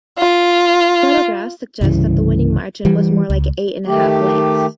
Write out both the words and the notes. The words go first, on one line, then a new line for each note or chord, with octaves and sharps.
Photographs suggest that the winning margin was more like eight and a half lengths.
F4
C2 G2 C#3 E3
E3 G3
C#2
D#3 A3 G4